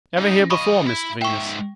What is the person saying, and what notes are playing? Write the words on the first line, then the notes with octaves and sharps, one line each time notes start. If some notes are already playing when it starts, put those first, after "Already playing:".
Ever here before, Mr Venus?'
C#3 D#4
F3 D#5 B5 C#6 D#6
E4
G#2 E5 G5 C#6